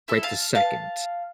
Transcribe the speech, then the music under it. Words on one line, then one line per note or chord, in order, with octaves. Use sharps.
right this second,
E4 A4
F5 A5
B3 F5 A5